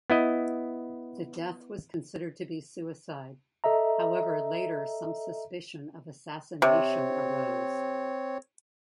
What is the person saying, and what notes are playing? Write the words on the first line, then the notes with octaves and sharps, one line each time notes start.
The death was considered to be suicide, however later some suspicion of assassination arose.
B3 E4 D#5
A4 D#5 E5 A#5
C3 C4 C#5